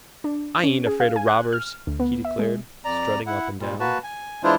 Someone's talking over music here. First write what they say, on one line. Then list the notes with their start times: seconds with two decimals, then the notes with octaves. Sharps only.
"I ain't afraid of robbers," he declared, strutting up and down.
0.24 D4
0.64 C#4
0.87 G#4
1.00 F5
1.16 G#5
1.28 F#6
1.53 F6
1.87 D2
2.00 B3
2.25 E5
2.39 G#3
2.85 F2 D5 A#5
3.26 E4 F#5
3.60 A#2 G3
3.80 A#3 F#4 B4 A5
4.04 G#5
4.43 E3 G#3 D4 E4 F4 C5